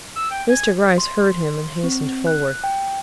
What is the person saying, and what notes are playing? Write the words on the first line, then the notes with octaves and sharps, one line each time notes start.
Mr. Gryce heard him and hastened forward.
E6
G5
G#5
C6
C4
F#6
G5